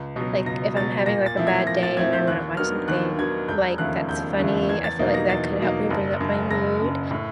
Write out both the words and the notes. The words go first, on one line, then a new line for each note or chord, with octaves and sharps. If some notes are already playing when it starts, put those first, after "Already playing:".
like, if I'm having, like, a bad day and I wanna watch something, like, that's funny, I feel like that could help me bring up my mood,
Already playing: C#2
B2 F#3
C#2 A#6
B2 F#3 A6
A#2 A#6
A6
F3 A3 C4 E4
G#6
A#2 A#6
A6
F3 A3 C4 E4 G#6
G6
D#2 F#6
D#3 F#3 B3 D4 F6
D#2 F#6
D#3 F#3 B3 D4 G#6
E1 G6
D#2 C#3 F3 A3 F#6
E1 G6
D#2 C#3 F3 A3
E2 G#6
A6
B2 F#3 A#3 D#4
A#6
E2 A6
B2 F#3 A#3 D#4
F#1
F#2 C#3
F#1 A#6
F#2 C#3
A2